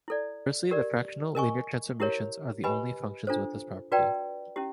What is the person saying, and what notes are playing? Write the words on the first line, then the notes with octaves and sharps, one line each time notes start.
Conversely, the fractional linear transformations are the only functions with this property.
E4 A4 D5
G4 A#4 D5
A#4 D#5 G#5 C#6
E4 G4 A#4 C#5
G4 B4 D#5 G#5 B5
D4 F4 A4 C5
F#4 B4 D5 G5 A#5
C#4 E4 G4